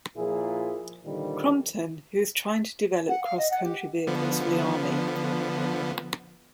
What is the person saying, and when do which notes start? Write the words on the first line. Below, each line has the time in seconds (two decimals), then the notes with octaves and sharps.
Crompton, who was trying to develop cross-country vehicles for the Army.
0.17 A#2 F3 E4 G#4
1.04 A#2 D3 D#3 F3 G3
3.08 F#5
3.23 F5
3.38 D#5
3.50 F#5
3.63 G4
4.07 D3 F3 B3